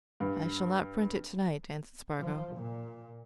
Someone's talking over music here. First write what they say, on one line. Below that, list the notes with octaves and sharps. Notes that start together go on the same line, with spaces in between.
"I shall not print it tonight," answered Spargo.
G2
F3
A#2